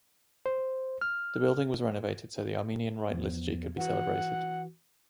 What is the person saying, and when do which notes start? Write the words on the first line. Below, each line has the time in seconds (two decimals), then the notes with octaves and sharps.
The building was renovated so the Armenian rite liturgy could be celebrated.
0.46 C5
1.01 F6
3.10 E2 F3 B3
3.77 E3 F#4 F#5